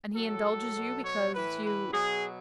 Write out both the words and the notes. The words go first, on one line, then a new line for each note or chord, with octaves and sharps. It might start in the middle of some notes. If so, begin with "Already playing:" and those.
And he indulges you because you . . .
A2 F#3 A4
B2 F#3
C#5
A2 E3 B4
B4
B2 F#3 G#4